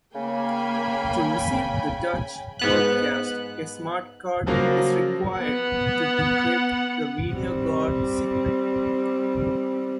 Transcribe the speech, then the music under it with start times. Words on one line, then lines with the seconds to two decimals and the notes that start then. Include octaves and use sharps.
To receive the Dutch broadcasts a smartcard is required to decrypt the Mediaguard signal.
0.15 C#3 A#3 G5 G#5 B5
2.59 G#2 B3 F#6
4.46 C#3 F3 F#3 A#3 F4
5.36 B3 F#5
7.33 G3 C4